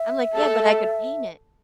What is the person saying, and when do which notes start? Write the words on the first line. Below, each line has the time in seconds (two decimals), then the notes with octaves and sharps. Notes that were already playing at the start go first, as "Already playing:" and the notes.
I'm like, "Yeah, but I could paint it.
Already playing: E5
0.37 A4